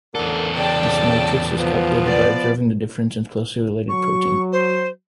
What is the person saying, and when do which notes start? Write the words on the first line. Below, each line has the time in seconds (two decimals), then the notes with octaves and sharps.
This matrix is calculated by observing the differences in closely related proteins.
0.15 E2 A2 D3 A4 A#4
0.55 C#3 D5 G5 A5
1.58 F3 B3
2.07 B4 D5
3.88 F#3 C#6
4.52 C5